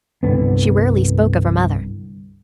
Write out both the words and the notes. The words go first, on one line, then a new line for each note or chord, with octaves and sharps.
She rarely spoke of her mother.
C2 G2 D3 B3